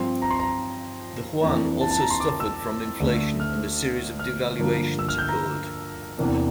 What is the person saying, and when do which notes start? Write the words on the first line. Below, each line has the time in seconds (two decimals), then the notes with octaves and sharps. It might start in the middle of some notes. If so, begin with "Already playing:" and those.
The hwan also suffered from inflation and a series of devaluations occurred.
Already playing: G2 F3 C4 C6
0.22 A#5
0.31 C6
0.40 A#5
1.41 F2 E3 A#3 D4
1.81 A5
1.91 A5
2.00 A#5
2.11 C6
2.20 D6
2.40 E6
3.00 D2 D3 A3
3.40 F6
4.19 F6
4.59 G2 D3 F3 A#3
4.99 E6
5.09 F6
5.19 G6
5.29 A#5
6.18 E2 C3 E3 A#3 D4